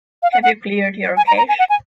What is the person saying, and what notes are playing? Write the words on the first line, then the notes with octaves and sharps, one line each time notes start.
Have you cleared your cache?
F5
F#5
F#5
G#5
A#5
A#5
G#5
F#5
G#5